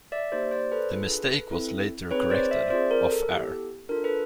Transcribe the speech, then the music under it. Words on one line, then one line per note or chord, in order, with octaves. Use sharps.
The mistake was later corrected, off-air.
D5 E5
A#3 D#4 G4 C5 D5
C5 D5
A4 B4
D4 F4 G#4
C4 E4 A4
C4 D#4 G#4 B4 C#5
C5 D5
D5 E5
C4 F4 G#4 C5 D5
A#4
A4
B3 E4 G4
D4 F4 A4 A#4
A4 B4